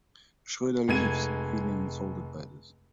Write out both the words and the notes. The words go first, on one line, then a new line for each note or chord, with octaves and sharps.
Schroeder leaves feeling insulted by this.
F1 G#3 G#6 D#7